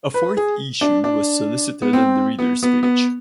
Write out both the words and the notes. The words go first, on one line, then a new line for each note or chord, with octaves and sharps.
A fourth issue was solicited on the reader's page.
B4
G#4
D4
D4
B3
C4
B3
B3
B3